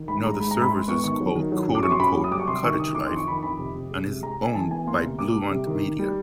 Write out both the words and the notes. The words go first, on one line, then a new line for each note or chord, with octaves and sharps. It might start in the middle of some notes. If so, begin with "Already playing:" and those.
Now the service is called "Cottage Life" and is owned by Blue Ant Media.
Already playing: D#3
G#2 B5
G#3 A#5
G#2 B5
A#5
G#2
B5
G#2 C6
B3 C#6
D#3 C#6
F#3
D#3
F#3
F#2
D6
F#3 C#6
C6
F#2 B5
F#3
D#6
G3 D6
C#6
C3 C6
D#3 C#6
D#3 D#6
D#3 D6
C6
F2
C#6
D#3 B5
F2 B5
C3
C3
G#3
C3
G#3 A#5
G#3
G#5
E3 A5
B3 G#5
A#3 C6
C3
A#3 D6
G3
C3
D#3
D#3
G3